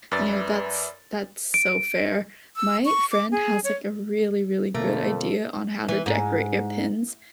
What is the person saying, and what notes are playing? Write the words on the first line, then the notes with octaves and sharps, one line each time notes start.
No, that's that's so fair. My friend has like a really, really good idea on how to decorate your pins
F#2 B4 D5 E5 A6
D7
E6
C#6
D6
G#4
C#5
F2 B2 D3 A3 A#3
E3
G#2